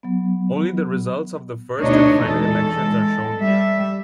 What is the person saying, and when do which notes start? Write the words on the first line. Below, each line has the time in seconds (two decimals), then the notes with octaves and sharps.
Only the results of the first and final elections are shown here.
0.03 F#3 B3
1.81 D2 B2 D4 D#4 C#5
2.26 E2 G#3 A4
3.38 G3 E5